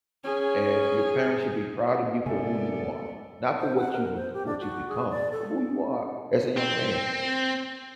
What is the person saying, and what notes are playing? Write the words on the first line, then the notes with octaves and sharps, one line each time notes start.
and your parents should be proud of you for who you are, not for what you've ac what you've become, but who you are, as a young man.
C#4 G#4
C3 A3 B3 A4 A#4 D5 E5 G#5
C5
F#5
A#4
C5
G4
D4
F#4
G#4
D5
A4
C4